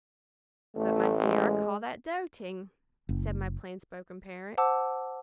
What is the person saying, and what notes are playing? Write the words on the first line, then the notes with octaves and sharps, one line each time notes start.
'But, my dear, I call that doting,' said my plain-spoken parent.
A1 A3
G#3
F#1
C5 F#5 A5 D6 E6